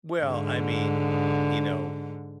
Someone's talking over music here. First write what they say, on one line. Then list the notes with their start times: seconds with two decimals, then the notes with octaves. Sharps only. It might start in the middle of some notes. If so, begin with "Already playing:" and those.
Well, I mean, you know.
0.23 G#2 D3